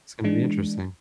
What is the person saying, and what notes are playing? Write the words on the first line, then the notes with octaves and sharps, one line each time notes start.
It's gonna be interesting.
E3 G#3 D4